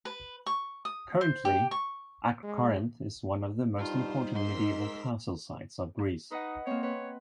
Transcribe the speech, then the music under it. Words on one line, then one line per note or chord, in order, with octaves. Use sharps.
Currently, Acrocorinth is one of the most important medieval castle sites of Greece.
B4
C#6
D#6
C5
G4
C#6
G#3
G2 G3 D#4 F4 C5
G#2 A#4 C6 E6 B6
D#4 B4 D#5 F#5
A#3 C4 C#5
B4 C#5